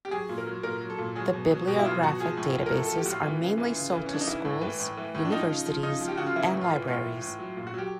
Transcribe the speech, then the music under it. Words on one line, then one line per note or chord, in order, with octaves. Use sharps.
The bibliographic databases are mainly sold to schools, universities and libraries.
G4
F#3 G#4
A#2
A#4
F#3
A#2 A#4
F#3
A4
A#2
F#3 G#4
B2
F#3
B2 G4
E4
F#3 F4
B2 F#4
F3 G#4
A2
F3
A#4
A2 A4
F3 A4
G4
A2 F4 F#4
E3
C#3
E3
C#3
E3
C#4
C#3 D4
D#4
E3 E4
A2
E3
A2
E3
A2
D4
F3 D#4
C#3
F3
C#3 D#4
F3
G4
C#3 F#4
F4
E3 E4
A2
F4
E3
A2 F4
E3
A2
F#3
A#2
F#4
F#3 G4